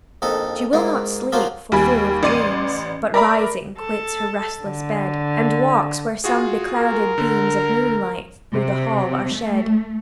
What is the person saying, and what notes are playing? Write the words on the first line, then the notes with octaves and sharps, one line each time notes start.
She will not sleep, for fear of dreams, But, rising, quits her restless bed, And walks where some beclouded beams Of moonlight through the hall are shed.
A#1 F2 D#4 A4
G#2 A#3 F4
F3 F#3 A#3 F4 C5
D#2 G3 G#5 B5
A1 D5 C6 D#7
A#4 D5 E5 A#5 B5 D6
A4
D3
F4 F#4 G#4
A#4
D3
C3
A3